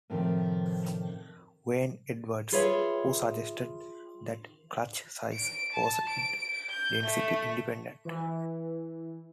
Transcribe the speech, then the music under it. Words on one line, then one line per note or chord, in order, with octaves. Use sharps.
Wynne-Edwards who suggested that clutch size was density-independent.
A2 C3 D#3 F3 C4
F4 G#4 B4 C#5 E5
D7
A5
D7
G6
A3
E3